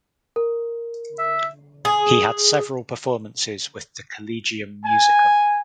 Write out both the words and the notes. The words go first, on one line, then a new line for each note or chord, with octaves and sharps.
He had several performances with the Collegium musicum.
A#4
E5
G#4
G#5